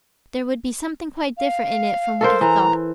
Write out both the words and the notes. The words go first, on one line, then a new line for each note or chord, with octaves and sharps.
There would be something quite different in it from what he thought.
F5
A4 A#4 C5
E3 A#5